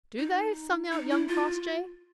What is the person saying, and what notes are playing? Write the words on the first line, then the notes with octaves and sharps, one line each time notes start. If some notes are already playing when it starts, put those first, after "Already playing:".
"Do they?" sung out young Crossjay.
D#4
D#4
E4
F4